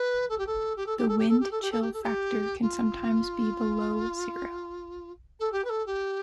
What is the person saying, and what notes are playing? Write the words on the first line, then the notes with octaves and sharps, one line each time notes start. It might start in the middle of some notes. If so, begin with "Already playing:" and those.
The wind chill factor can sometimes be below zero.
Already playing: B4
A4
G4
A4
G4
A4
G4
A4
G4
A4
G4
A4
G4
A4
G4
A4
G4
F4
A4
G4
B4
A4
G4